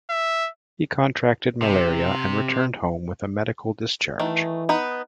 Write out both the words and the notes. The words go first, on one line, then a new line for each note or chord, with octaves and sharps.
He contracted malaria and returned home with a medical discharge.
E5
C3
D#3 E3 A3
B3 D#4 B4